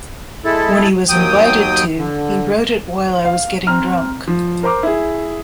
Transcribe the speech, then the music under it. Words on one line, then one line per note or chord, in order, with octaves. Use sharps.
When he was invited too, he wrote it while I was getting drunk.
G#3 E4 A4
D#2 F#3 G5 D#6
D3
F5
C4 A#5 F6
F3
A#4 C5 A#5 D6
E4 G#4